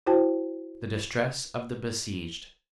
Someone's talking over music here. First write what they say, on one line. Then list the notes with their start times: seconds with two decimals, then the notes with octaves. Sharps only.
The distress of the besieged.
0.06 E4 F#4 C5 G5 A5